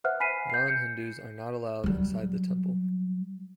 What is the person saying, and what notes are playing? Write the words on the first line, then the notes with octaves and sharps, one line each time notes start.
Non-Hindus are not allowed inside the temple.
B4 C5 E5 F#5 F6 F#6
G#5 B5 B6 C7 D#7
G6 C7
G6 C#7
F#3 G3